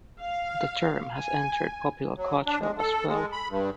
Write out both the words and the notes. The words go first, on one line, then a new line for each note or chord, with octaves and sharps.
The term has entered popular culture as well.
F5
G#5
F#3
D4
G#3
A4
G#3
B5
G2